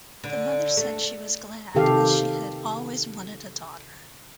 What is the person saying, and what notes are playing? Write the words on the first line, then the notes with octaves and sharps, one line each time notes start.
The mother said she was glad, as she had always wanted a daughter.
D3
A3
C3 D#3 G4 A4 F5